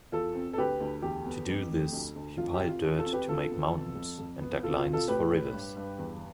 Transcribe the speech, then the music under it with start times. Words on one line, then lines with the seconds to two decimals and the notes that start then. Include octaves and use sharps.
To do this, he piled dirt to make mountains, and dug lines for rivers.
0.12 E2 F4 A4
0.35 C4
0.53 A4
0.57 D2 G4 B4
0.80 D2
1.02 E2 G4
1.26 B3
1.49 F2
1.71 A3
1.92 D2
2.16 D2
2.38 F2 F4
2.54 G4
2.60 C4
2.68 F4
2.83 E2
2.99 F4 A4
3.05 C4
3.13 G4 B4
3.28 D2 F4 A4
3.51 B3
3.73 F2
3.95 F2
4.18 F2
4.41 B3
4.63 C2 F4 A4
4.78 F4
4.86 C2
4.93 F4 A4
5.08 A2 G4 B4
5.31 A2
5.53 G2
5.76 G2
5.98 E2